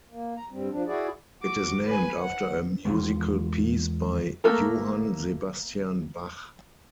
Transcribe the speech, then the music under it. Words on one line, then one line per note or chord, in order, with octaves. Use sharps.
It is named after a musical piece by Johann Sebastian Bach.
A#3
A#5
G2 G3 C4
F3 D4
E4 F#4 G#4 D5
F#4 D6
B4 G#5
F#5
E2 F3 G#3
A3 A#3 A4 A#4